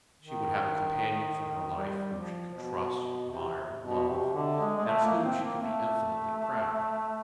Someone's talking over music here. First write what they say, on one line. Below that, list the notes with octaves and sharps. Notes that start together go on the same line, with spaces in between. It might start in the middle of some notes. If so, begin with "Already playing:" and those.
She would have a companion for her life whom she could trust, admire, love, and of whom she could be infinitely proud.
D#3
G3
F3
B2
C3
B2
C3
D3
G#3
G#3
A3
A#3
C4
A#3
A3